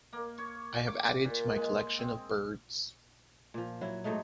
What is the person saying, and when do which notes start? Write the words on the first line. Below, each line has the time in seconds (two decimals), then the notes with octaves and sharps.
I have added to my collection of birds.
0.13 A#3
0.38 C#5
0.88 D6
1.25 A#2
1.55 G#3
1.98 C4
3.54 A#2 F3
3.81 F#3 E4
4.04 G#2 F#3 A3 D#4